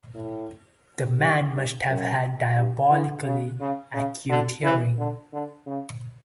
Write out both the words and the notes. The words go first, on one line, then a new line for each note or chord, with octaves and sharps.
The man must have had diabolically acute hearing.
A2
G2
G2
F#2
G2
E3
C#3
C#3
C#3
D3
E3
D3
D3
C#3